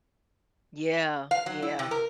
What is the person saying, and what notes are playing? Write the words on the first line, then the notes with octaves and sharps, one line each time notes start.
Yeah. Yeah.
F5
F#3
E4
C3
A#4